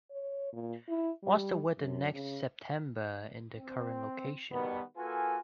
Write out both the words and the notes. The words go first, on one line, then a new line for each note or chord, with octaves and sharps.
What's the weather next september in the current location?
C#5
A#2
E4
G3
F#2
C#3
C4
B2 D#3 G3 B3
A#3 F4 F#4 A4 B4 G#5